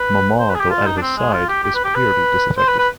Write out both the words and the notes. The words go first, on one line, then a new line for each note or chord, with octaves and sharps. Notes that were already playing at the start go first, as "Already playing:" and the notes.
Mamah, though at his side, is clearly disaffected.
Already playing: B4
C5
B4
G#4
G4
F4
D#4
D4
C4
G#3
F4
G4
G4
B4
G4
B4
C5
B4
B4